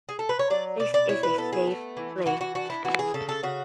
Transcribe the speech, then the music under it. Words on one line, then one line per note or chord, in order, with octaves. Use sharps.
This is a safe place.
G#4
A4
B4
C#5
F#3 D5
B2 D5
D5
E4 C#5
B4
B3 A4
G#4
A3
E3
E3 F#4
F#4
D4 F#4
E4
E3 F#4
G#4
C#3 A4
A4
C#3 F#4